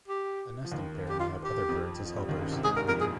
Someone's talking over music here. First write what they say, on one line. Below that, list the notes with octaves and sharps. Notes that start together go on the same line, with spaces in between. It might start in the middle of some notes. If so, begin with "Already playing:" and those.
A nesting pair may have other birds as helpers.
G4
F3
D#2 D#3
G4
F4
G4
F2 F3
F3
G2 G3
D#2 D#3
C#2 C#3
C2 C3
G#2 G#3 G#4
G2 G3 A#4
F2 F3 A#4
A#2 G#4